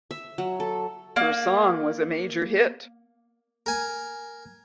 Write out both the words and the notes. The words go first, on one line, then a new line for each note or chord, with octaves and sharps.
Her song was a major hit.
E5
F#3
A4
A#3 D5
A#4 G#5